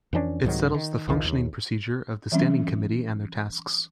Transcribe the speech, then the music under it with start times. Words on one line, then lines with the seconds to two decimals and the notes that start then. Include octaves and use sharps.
It settles the functioning procedure of the Standing Committee and their tasks.
0.13 F2 E3 C#4 D4
0.44 C2 G#2 D#3 F#3
0.74 D#3
1.08 A#1 E2 D#3 F3
1.25 D#2
2.32 E3 F#3 G3 C4 C#4